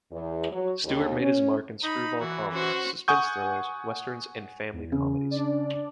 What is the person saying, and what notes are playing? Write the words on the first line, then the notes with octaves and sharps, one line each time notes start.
Stewart made his mark in screwball comedies, suspense thrillers, westerns and family comedies.
E2
F#3
D#2
C#4
D#4 B5
E3 F#4
C#4 F#4 C5
F#5 G#5 C#6 D#6 G6
E2
C#3
D4 D5